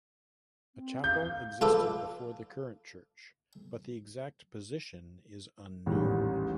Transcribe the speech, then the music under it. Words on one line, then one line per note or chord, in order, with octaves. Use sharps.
A chapel existed before the current church but the exact position is unknown.
C4
F5 G6
F4 A4 B4 D6
A1 D#2 G#2 G3